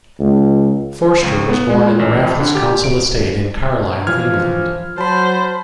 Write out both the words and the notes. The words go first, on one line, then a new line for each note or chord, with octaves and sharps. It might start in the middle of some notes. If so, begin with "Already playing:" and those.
Forster was born in the Raffles council estate in Carlisle, England.
C#2
C#2
B3
G#3
A1
F2
D3
G4
D7
E3 F3 F6 G#6
F#3 C5 A5 B5